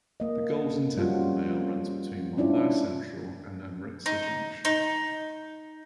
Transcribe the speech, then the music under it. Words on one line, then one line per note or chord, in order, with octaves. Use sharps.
The Golden Temple Mail runs between Mumbai Central and Amritsar Junction.
A#3 D#5
G3 C#4 F4 F#4
C#4 D4 E4 F4 D5
D#4
D#4